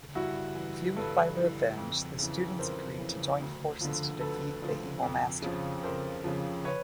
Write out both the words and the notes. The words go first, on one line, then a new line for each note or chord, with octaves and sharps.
Fuelled by revenge, the students agree to join forces to defeat the evil master.
G2 E4 F#4
E3
G2 A4 B4
E3
F2
C#3 E3
F2 A#4 C5
C#3 E3
D2
D3 F3
D2 A4 B4
D3 F3
F2
C#3 F3
F2 A#4 C5
C#3 F3
B4 C#5